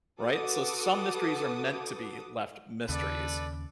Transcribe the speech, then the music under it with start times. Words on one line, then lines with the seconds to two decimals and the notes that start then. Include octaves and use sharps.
Right? So some mysteries are meant to be left mysteries.
0.21 F#4 A4 B4 D6 D#6
2.89 D#2 C#3 A4 B4 D5